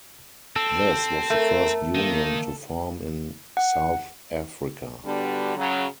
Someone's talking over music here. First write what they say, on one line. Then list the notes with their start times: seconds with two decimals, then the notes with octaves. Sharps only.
This was the first union to form in South Africa.
0.56 C4 A4
1.30 A3 A#4
1.95 D#3 A#3
3.57 F#5
5.05 D3 G3 B3 D4 F#4 G4
5.57 C#3 F#3